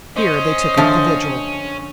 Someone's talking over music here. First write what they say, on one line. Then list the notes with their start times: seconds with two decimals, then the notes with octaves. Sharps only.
Here they took up the vigil.
0.17 C#4 C5 D#5
0.77 D3 F3 A3